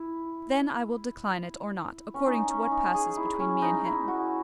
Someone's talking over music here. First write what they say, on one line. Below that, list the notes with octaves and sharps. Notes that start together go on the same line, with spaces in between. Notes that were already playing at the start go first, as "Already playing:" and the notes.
Then I will decline it or not, according to what passes between me and him.
Already playing: E4
C#4
D#4
C#4
D#4
G#4
E4
C#4
D#4
E4
F#4